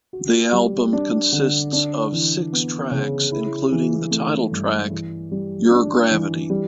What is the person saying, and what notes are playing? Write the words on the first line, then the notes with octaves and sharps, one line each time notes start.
The album consists of six tracks including the title track "Your Gravity".
F#4
G3
D4
D3
D4
E3
B3
C#3
E4
E3
A3
G2
E3
G3
D4
E3
G3